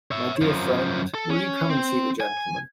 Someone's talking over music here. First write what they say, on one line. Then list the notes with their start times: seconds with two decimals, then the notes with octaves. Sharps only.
My dear friend, will you come and see the gentleman?
0.11 C#5 E5
0.42 F#2 F3
1.14 A4
1.30 C#4
1.70 C4
2.20 G#5